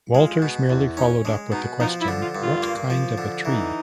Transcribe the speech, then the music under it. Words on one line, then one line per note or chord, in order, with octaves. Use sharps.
Walters merely followed up with the question, What kind of a tree?
G#3 F4
B2
E2
C#4 D#4
G#3 D4
B2 D#4
F3 D#4
E4
D3
F4
G2
F4
A#3
F3
D3
E3 D#4